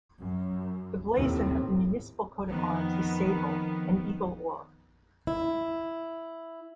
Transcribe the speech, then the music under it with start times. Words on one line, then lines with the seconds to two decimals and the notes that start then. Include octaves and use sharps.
The blazon of the municipal coat of arms is Sable, an Eagle Or.
0.19 F#2
1.15 D#2 A2 C3 C4
2.48 F2 D#3 F3 B3
5.27 E4